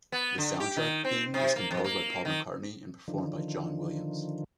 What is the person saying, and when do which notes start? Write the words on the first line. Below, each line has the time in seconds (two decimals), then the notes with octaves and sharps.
The soundtrack theme was composed by Paul McCartney and performed by John Williams.
0.12 B3
0.38 D3
0.60 G4
0.77 D#3
1.04 C4
1.34 C3
1.56 A#3
1.71 F2
1.84 A#3
2.25 D#3
3.08 D3 D#3 F3